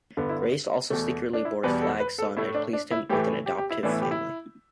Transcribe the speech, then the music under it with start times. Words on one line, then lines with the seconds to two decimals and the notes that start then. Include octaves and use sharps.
Grace also secretly bore Flag's son and placed him with an adoptive family.
0.17 G2 D3 B3
0.29 E4
0.90 E2 B2 A3
1.33 D4
1.45 E4
1.63 E2 B2 G3 B3 B4
1.82 A4
2.00 B4
2.18 A4
2.37 A2 A3 E4
2.55 D4
2.73 D4
2.91 E4
3.10 A2 E3 A3 G4
3.46 G4
3.58 G4
3.71 E4
3.83 A2 E3 B3 D4
3.92 E4
4.02 G4
4.11 E4